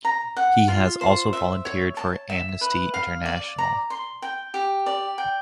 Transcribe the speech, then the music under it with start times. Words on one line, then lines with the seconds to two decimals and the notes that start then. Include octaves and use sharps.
He has also volunteered for Amnesty International.
0.05 A#5
0.36 F#5
0.68 F4
1.01 C5
1.33 E5
1.65 C#5
1.97 A5
2.30 E5
2.61 B4
2.94 F5
3.25 D5
3.58 A#5
3.90 C6
4.22 G5
4.54 G4
4.86 D5
5.18 G5